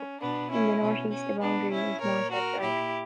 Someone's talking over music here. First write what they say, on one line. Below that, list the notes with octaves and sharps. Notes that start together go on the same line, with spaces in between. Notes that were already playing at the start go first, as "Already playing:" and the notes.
In the north east the boundary is Morshead Drive.
Already playing: C#4
B2 B3 D4
C#4 E4
B2 C#4
C#4
B2 B3 D4
C#4 E4
A#2 A#4 C#5
F#4 A#4
A#2 E4 G4